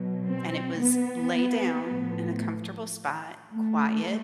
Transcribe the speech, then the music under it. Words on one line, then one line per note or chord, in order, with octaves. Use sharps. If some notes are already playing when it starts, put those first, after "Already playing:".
and it was: "Lay down in a comfortable spot, quiet.
Already playing: B2 F#3
C4
B3
A2 F3
A3